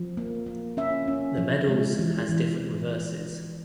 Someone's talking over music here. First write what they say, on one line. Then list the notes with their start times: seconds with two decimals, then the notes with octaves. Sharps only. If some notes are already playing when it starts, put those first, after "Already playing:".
The medals has different reverses.
Already playing: F3
0.17 A#3
0.47 A#3
0.77 C#4 E5
1.08 C#4
1.38 F3
1.68 G#3
1.99 E3
2.29 E3